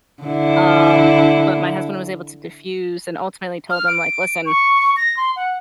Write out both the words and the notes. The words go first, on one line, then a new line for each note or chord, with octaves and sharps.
um, but my husband was able to diffuse and ultimately told him like, "Listen,
D3 E4
F6
D7
C#6
A#6
C6
F#5